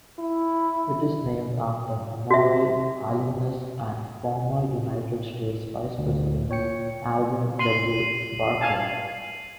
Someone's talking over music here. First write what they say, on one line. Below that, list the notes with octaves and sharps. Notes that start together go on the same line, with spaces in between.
It is named after Emory alumnus and former United States Vice-President Alben W. Barkley.
E4
F#4 E5
D2
A#2 C#5 G5 C#7
C6 C7 D#7 F#7
F5 G#5 A5